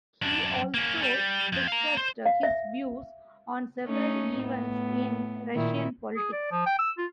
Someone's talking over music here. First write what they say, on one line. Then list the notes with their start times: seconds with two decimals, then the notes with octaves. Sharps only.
He also discussed his views on several events in Russian politics.
0.22 F#2 D4
0.74 A#3 C#4
1.02 G3
1.52 F2
1.68 F5 A#5
1.97 C5
2.26 F5
2.43 E5
3.84 A3 C#4 D#4
4.39 A2 B3
5.55 A#2 D#3 E4
6.16 G#4
6.32 D5
6.51 F3
6.66 G5
6.78 E6
6.98 F4